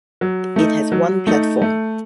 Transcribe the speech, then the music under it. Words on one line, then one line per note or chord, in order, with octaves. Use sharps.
It has One platform.
F#3
A3 D#4
F#3
A3 D#4
A3